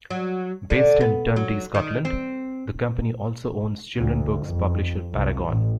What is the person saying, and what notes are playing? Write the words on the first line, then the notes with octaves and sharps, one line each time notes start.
Based in Dundee, Scotland, the company also owns children books publisher Parragon.
F#3
D3
B3
F#3
D#3
C4
D2
F2
C2
A1